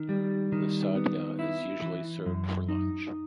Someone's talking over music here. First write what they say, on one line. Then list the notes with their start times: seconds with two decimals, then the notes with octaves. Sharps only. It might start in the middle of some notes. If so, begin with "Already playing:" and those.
The sadhya is usually served for lunch.
Already playing: D#3
0.09 G3
0.52 D#3
0.95 B3
1.39 E4
1.82 E3
2.26 F#2
2.69 D#4